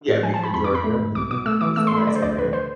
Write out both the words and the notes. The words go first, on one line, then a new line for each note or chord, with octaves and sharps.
Yeah, Macon, Georgia, mhm. That's a nice area.
A2
F3 G#5
A5
F3 B5
F2 B5
D6
F2
B5
A3
G#2
C2 D6
B2 D6
A3 E6
E3 D6
A3 E6
C6
A3 B5
D3 D5
C5
D2 D5
D2 B4
C5